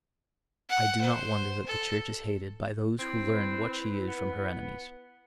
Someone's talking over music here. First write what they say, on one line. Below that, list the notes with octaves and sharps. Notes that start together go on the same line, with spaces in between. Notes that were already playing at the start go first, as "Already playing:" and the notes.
I do not wonder that the Church is hated by those who learn what she is from her enemies.
F#5
C5
A4
C4 E4
B4
B3